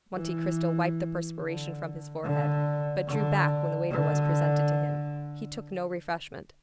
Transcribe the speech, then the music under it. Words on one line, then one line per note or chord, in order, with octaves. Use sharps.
Monte Cristo wiped the perspiration from his forehead, but drew back when the waiter was presented to him; he took no refreshment.
E3
D3
D3
D3
D3